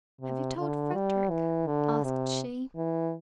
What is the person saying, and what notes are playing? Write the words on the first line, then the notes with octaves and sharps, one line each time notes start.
'Have you told Frederick?' asked she.
C3
D3
G3
E3
D3
C3
E3